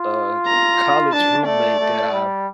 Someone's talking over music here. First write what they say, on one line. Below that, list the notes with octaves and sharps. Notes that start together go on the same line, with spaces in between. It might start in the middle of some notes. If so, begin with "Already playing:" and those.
a college roommate that I
Already playing: F4
A#5
D4 A5
A3 D5
A3
G3